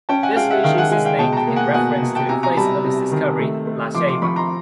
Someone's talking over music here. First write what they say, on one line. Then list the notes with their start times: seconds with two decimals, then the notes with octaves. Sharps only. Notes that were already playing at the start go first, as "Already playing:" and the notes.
This species is named in reference to the place of its discovery, La Ceiba.
0.09 C#4 G5 A5
0.23 F#5 G#5
0.36 G#3 F5 G5
0.50 E5 F#5
0.64 D#3 F5 G5
0.78 F#5 G#5
0.91 G#3 F#5 G#5
1.05 F5 G5
1.19 B2 G5 A5
1.33 A#5
1.37 G5 A5
1.47 A#3
1.56 F#5 G#5
1.74 B2 F#5 G#5
2.02 B2
2.15 G5 A5
2.29 C3 G#5 A#5
2.43 G#5 A#5
2.57 G3 A5 B5
2.84 C3
3.12 D#3
3.39 A3
3.67 A3
3.95 F3 C6 D6
4.08 C6 D6
4.22 F3 B5 C#6
4.36 A#5 C6